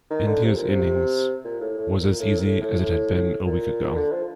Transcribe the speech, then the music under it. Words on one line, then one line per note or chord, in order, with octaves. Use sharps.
India's innings was as easy as it had been a week ago.
D#3
D3
C3
A#2
C3
A#2
A2
A2
A#2
A2
A#2
A2
A2
A2
A#2
D3
F3